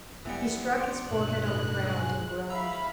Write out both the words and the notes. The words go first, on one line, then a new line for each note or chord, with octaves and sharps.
He struck his forehead on the ground and groaned.
C#2 E3 G3 B3 C#7
C5 D5
C#2 G2 B2 F#6
A2 D#4
C#3 G#3
E4 F5 A#5 B5 E6